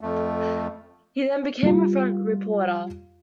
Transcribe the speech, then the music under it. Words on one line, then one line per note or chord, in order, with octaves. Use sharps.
He then became a front reporter.
F2 A3
G3 F4